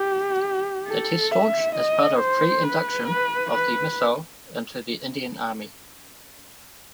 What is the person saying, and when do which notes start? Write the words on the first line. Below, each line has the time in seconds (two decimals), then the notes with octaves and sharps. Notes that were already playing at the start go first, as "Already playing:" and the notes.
The test launch is part of pre-induction of the missile into the Indian Army.
Already playing: G4
0.88 A4
1.31 E5
1.76 D#5
2.20 C5
2.64 B4
3.07 B4
3.51 B4